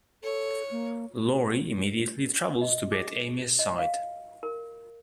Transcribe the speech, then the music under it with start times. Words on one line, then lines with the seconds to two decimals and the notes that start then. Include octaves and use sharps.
Laurie immediately travels to be at Amy's side.
0.23 A4 C#5
0.71 A#3
2.61 D#5
2.92 G#4
3.59 D#5
3.79 F5
4.43 A#4